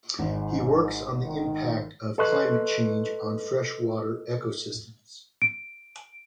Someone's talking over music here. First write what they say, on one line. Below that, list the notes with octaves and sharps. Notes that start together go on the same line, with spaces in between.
He works on the impact of climate change on freshwater ecosystems.
G#1 G#2
D#3
A4 B4 D#5 C6 C#6 F#6
D7